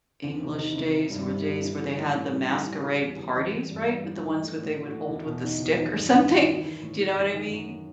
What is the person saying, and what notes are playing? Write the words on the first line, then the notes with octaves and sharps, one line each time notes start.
English days, or days where they had the masquerade parties, right? With the ones with they would hold with the stick or something. Do you know what I mean,
E2 C4
C3
D#4
D#3
C3 E4
D#3 E4
G2
G3
G2
G3
G2
E3
E3
A2
A2
E3 G3
E3
G3
E3
G3
E3
E2
E2
E2
E2
G2
G2
E3
E3
E3 A3
A2
A3
A2
F#4
A2
E2 E4
B2
E2 D#4
E2
D#3
G2
D#3 E4
D#3
E3
E3
A2
E3
F#2 E4
D#3
F#2 F#4